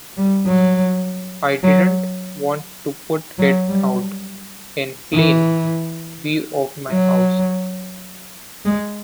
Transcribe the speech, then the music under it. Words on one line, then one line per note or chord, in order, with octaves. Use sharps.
I didn't want to put it out in plain view of my house.
G3
F#3
F#3
F#3
G3
E3
F#3
G#3